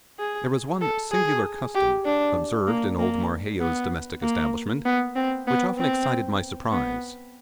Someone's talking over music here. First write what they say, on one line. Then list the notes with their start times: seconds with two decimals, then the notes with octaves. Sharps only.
There was one singular custom observed in old Marheyo's domestic establishment, which often excited my surprise.
0.19 G#4
0.81 A4
1.12 G#4
1.75 G4
2.06 D4
2.67 A#3
2.99 A#3
3.61 B3
4.23 A#3
4.85 B3
5.16 C4
5.48 B3
5.78 C4
6.71 B3